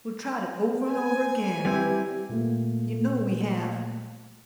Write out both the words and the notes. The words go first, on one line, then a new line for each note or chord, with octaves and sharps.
We've tried it over an' over again; you know we have.
B4 C5 G#5
G3 C4 E4 G4 B4
A#2 A3 A#3